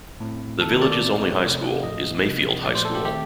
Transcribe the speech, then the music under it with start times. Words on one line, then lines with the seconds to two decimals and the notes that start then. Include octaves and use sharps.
The village's only high school is Mayfield High School.
0.20 A2 A3 C4
0.61 D#3 A3 C4 A4
0.71 A#4
0.82 D5
0.92 D5
1.02 A#2 A3 C4
1.43 C3 F3 A3 C4
1.83 A2 F3 A3 D#5
2.24 C3 F3 C4
2.65 A#2 F3 A3 D5
2.75 C5
2.85 A4
2.95 G4
3.05 D#3 A3 C4 G4